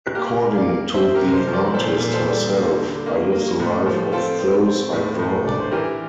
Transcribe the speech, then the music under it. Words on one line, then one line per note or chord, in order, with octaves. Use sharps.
According to the artist herself, I live the life of those I draw.
A#3 G4 A#4
A#3
D5 F5
A#3
C4 C5 E5
G4 A#4
C3
A#4
A4 C5
F3
A#4 D5
A#2 A4 C5
A#2
A4 C5
G3
A#3
D3
A#3
A#3
A2
F3
C4 F4 A4
C4
C4
A2
A2
D4 D5
C5
E3 G4 A#4